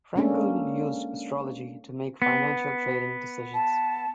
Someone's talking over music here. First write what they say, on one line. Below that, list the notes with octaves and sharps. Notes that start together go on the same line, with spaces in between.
Frankel used astrology to make financial trading decisions.
G#3 A#3 C#4 D4 A4
B3
A5